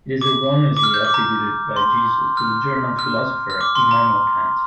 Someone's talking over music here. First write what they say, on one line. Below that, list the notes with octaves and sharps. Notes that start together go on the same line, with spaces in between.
It is erroneously attributed by Jesus to the German philosopher Immanuel Kant.
D6
D6
F6
G6
D6
A#5
C6
F6
F6
F6
D6
C6
A#5